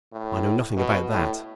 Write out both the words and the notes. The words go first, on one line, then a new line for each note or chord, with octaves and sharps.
"I know nothing about that."
A2
B2
A2